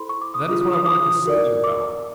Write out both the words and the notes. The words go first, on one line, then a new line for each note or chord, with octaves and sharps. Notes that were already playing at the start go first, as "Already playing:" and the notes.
That is what I want to consult you about.
Already playing: E4 A4 C5 B5 C6
C#6
D6
D#6
D4 F4 G#4 D6
D#6
D#6
D6
F#4 A#4 D5
D6